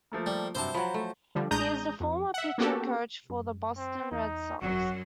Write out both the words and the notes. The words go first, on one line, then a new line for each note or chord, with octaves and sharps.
He is the former pitching coach for the Boston Red Sox.
F3 A3 A#3
G3
G2 C3 F#3 C5 A5
F3 F#3 A#5 B5
A3
D3 F3 G3
A1 G#3 D4 A#5 D#6 G6
F2
E5 F#5
A#3 B3 C#4 F#4 G4 A4
F#2
C4
E2 D#4
G#1 F#2 F#3 F#4